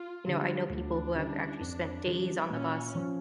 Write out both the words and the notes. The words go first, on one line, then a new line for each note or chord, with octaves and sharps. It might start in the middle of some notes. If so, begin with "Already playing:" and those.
you know, I know people who have actually spent days on the bus,
Already playing: F4
D3 G3
D2 D4
D3 G3 C#4 E4
F2
C#3 E3 G3
A#2 C#4
F3 C#4